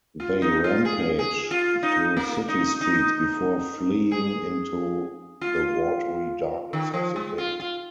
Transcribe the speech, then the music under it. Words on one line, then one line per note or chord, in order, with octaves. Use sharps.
They rampage through city streets before fleeing into the watery darkness of the bay.
F4
D#4
F4
G#4
G#4
F4
D#4
A#3
D#4
D#4
G#4
F4
D#3
F3
G#3
F4
F4